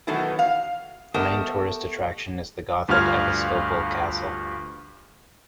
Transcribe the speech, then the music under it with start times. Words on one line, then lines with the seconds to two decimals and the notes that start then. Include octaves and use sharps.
The main tourist attraction is the Gothic Episcopal castle.
0.07 B2 D#3 E3 F#3 A3 B3
0.39 F5
1.14 A3 B3 G4 A#4 D#5 A5
2.88 D2 G2 F4 F5 F6 G#6